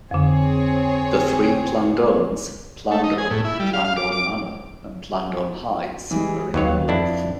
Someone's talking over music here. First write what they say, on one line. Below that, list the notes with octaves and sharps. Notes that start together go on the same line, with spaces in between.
The three Plandomes-Plandome, Plandome Manor and Plandome Heights-are in the north.
F2 D3 C4 G#4 C#5
A3
D#4
G#4
A2
E4
G3
F5
F5
D6
D6
E3 G3 G#3
D#2 F#3 B4 C#5 F5
F2 D4 E4